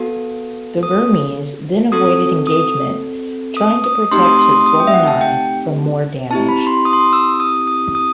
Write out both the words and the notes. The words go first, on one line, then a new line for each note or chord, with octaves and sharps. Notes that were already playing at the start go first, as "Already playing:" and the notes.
The Burmese then avoided engagement trying to protect his swollen eye from more damage.
Already playing: B3 F#4 A4
D#6
C4 F#4 A4 D#6
D#6
D#6
D#6
A3 C4 D#4 G4 C6
D#6
C6
D#6
D#6
G5
E5
F#5
A5
G5
C4 E4 G4 A5
B5
C6
D#6
C6
D#6
E6
D#6
D#6
D#6